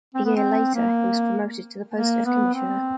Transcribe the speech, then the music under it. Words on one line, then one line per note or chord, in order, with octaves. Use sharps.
A year later, he was promoted to the post of commissioner.
C4
B3
C4
A#3
A#3
B3
C4